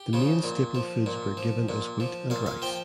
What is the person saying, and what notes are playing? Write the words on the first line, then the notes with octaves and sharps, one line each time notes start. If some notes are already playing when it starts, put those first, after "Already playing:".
The main staple foods were given as wheat and rice.
Already playing: G4
C#3 F3
A#2
F3
A#2
F3
A#2
F3
A#2 F5
F5
F3 G5